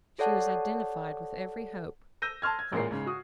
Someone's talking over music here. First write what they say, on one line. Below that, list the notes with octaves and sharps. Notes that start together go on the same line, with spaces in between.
She was identified with every hope. Humph!
G4 A4 C#5 D5 F#5 A5
E6 G6 A#6 D#7
A5 C6 F6 G#6
G#6
A1 A#2 G#3 A#4 C7
G#2 C#3
F#4 D#6